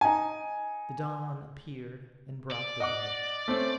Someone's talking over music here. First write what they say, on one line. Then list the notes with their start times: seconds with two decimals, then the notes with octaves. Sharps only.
The dawn appeared and brought the day.
0.01 D#4 G#5
2.51 D5
2.80 D#5 F#5 D6
3.48 A3 C4 C#4